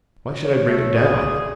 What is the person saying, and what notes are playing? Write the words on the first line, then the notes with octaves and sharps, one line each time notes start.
Why should I bring it down?
C#5
A3
G#4 D5